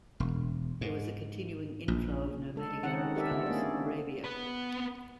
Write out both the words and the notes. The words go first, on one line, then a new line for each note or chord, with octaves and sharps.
There was a continuing inflow of nomadic Arab tribes from Arabia.
E1
G#2
A#1
G#3 A4
D#3 C4 C#4 D#4 F#5
E4 G4 A4 A#4 D5 E5
D3 B3 F4 A4
A3 A#3 C#4 G#4 D5
C4
B3 B4